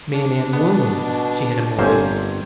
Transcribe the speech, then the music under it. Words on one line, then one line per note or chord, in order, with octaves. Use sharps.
"Man and woman," she had amended.
D4
B2 B3
G1 A#3 C4 C#4 C5 G#5